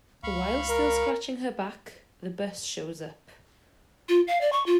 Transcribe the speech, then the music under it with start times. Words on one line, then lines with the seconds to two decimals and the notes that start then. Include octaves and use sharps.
While still scratching her back, the bus shows up.
0.23 C#2 F5 B5 C#6
0.70 A#4
4.08 F4
4.27 F5
4.41 D5
4.52 C#6
4.66 F4